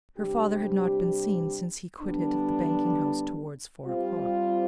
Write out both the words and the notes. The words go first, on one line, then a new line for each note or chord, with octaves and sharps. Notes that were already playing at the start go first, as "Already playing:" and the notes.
Her father had not been seen, since he quitted the banking-house towards four o'clock.
C3 G3 D4 G4
D3 G3 B3 D4
G3 C4 F4